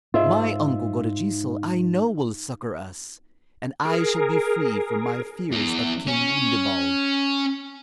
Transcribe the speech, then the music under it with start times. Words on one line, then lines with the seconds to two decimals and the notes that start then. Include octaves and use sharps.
"My uncle Godegesil I know will succor us, and I shall be freed from my fears of King Gundebald."
0.14 G#2 F4 E5
3.85 G#4 A#4
5.52 E2
6.07 C#4